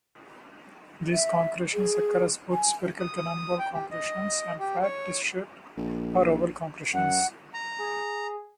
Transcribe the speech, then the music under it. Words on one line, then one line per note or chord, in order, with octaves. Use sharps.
These concretions occur as both spherical cannonball concretions and flat, disk-shaped or oval concretions.
E5
G#4
G#5
D#6
D#6
G5
G4
D#5
G4
C#5
A#1
F#2 F#5
A#5
G#4